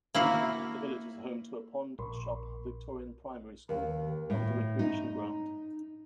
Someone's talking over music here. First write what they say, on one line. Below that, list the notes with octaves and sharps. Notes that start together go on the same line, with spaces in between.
The village is home to a pond, shop, Victorian primary school, and recreation ground.
A#3 E4 F#4
A#1
D#2
A2
D#4